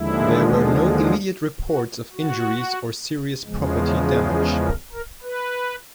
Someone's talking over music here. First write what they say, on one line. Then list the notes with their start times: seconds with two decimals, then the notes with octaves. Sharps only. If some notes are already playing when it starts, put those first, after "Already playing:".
There were no immediate reports of injuries or serious property damage.
Already playing: D#2 D3 F3 G#3 E4
1.67 F#4
2.12 F#4
3.45 E2 C#3 F3 G#3
4.34 G#4
4.64 A#4
4.93 A#4
5.22 B4